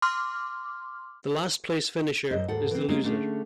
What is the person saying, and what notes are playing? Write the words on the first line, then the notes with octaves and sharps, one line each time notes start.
The last-place finisher is the loser.
C6 D6 F6
F#2 C5 D#5
D#2 G#2 A4 F#5
E3 C4
G#3 A#3 C4 C#4 F4 G4
D3 A3 C#4 D4 G#4